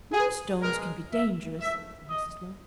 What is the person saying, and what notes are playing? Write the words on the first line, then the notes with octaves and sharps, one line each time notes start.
"No stones can be dangerous," said Mrs. Low.
G#4
B2 G#3 A#4
E5
G#2 F3 A3 E5
D#5